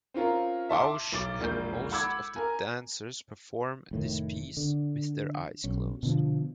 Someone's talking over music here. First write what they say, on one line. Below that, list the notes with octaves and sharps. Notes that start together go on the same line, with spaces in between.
Bausch had most of the dancers perform this piece with their eyes closed.
C4 C#4 F4 A#4
E5 A5 C6 D6
B1 D6 A6
E1 A#1 A#3 G6
F#5 B5 D6 E6 G#6
A#4 G#5
F1 A2 D#3
D3
B1 C#4
B2 D3 F3